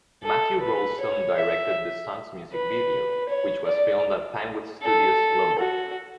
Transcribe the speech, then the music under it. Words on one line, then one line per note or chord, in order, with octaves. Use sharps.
Matthew Rolston directed the song's music video, which was filmed at Pinewood Studios, London.
A4
B4
C#5
E5
B4
C#5
D5
A4
F#4